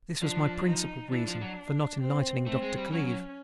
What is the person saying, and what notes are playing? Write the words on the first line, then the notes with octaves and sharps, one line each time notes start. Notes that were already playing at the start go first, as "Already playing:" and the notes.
This was my principal reason for not enlightening Dr. Cleeve.
F3 D4
D#4
E3 D4
F3
F#3
C4
A3 C4
G#3
G3
F#3 C#4
F#3